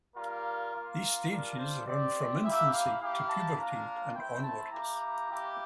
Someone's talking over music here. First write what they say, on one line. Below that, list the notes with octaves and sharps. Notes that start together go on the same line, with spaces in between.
These stages run from infancy to puberty and onwards.
G3 A#3 F4 A#4
A#3 F4
A#4
G3 D4 F4 A#4
C5
C4 G4 D5
A#3 E4 G4 E5
F5
A#3 E4 G4 F5
A5
A#3 D4 F4 A#5
A#5
A3 C4 E4 G5
A5
A#3 E4 G4 A#5
A#3 E4 G4